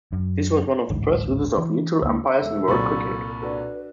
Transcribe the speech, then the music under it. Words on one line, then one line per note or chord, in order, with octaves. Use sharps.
This was one of the first uses of neutral umpires in world cricket.
F#2
A1 D2 G#2
E3
D2 A#3
E1 A4 E5
C2 A#2 D3 F#3 B5 C#6 A6
D4 F#4 A4 B4